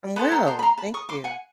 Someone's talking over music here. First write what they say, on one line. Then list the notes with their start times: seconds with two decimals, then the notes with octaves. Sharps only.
I'm well, thank you.
0.16 B3 E4 A4 C5 A5 B5
0.31 A#5 C6
0.47 A#5 C6
0.59 B5
0.62 A#5 C6
0.78 A5 B5
0.94 C#6 D#6
1.09 C6 D6
1.24 F#5 G#5